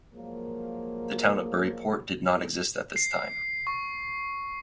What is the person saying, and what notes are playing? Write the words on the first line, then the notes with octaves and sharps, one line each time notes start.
The town of Burry Port did not exist at this time.
F3 F#3 G#3 A#3
C7
C#6